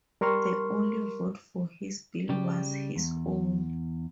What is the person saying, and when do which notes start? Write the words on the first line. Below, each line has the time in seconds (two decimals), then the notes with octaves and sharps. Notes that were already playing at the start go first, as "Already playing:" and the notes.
The only vote for his bill was his own.
0.21 G3 A#4 C6 C#6 F6
2.29 C#3 G3 G4
2.96 E2